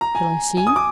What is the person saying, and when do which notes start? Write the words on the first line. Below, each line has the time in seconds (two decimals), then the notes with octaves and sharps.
"Shall I see?"
0.01 A#5
0.15 G#5
0.57 G#5
0.67 D#6
0.76 D6